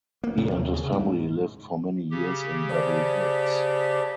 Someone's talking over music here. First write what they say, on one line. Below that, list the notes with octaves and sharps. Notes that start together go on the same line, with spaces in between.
He and his family lived for many years in Beverly Hills.
A#3
C3
D#2
C#3
G#2
C#3 G4
C5 D5 A5